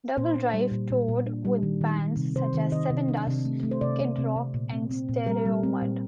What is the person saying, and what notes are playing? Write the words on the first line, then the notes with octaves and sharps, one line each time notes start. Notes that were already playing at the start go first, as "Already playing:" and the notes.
DoubleDrive toured with bands such as Sevendust, Kid Rock and Stereomud.
A#2 C5
D4
G3
A#2
A#2
A#2
D4
G3
D#3
D#3
D#3
C3
C3 C5
D#3
D#3 D#5
C3
D4
C3
A3
A3
C5
C3 D5
C3
C3
C3
A#2
C4
C4
A#2
G3 A#4
G3
C4
A#2